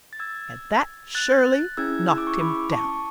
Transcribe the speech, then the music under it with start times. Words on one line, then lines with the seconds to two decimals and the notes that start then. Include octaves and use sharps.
At that Shirley knocked him down.
0.13 A6
0.19 E6 G#6
1.15 F#6 A6
1.77 C#4 E4 G#4 E6 G#6
2.09 E6
2.18 D6
2.27 C#6 E6
2.41 B5 D6
2.72 A5 C#6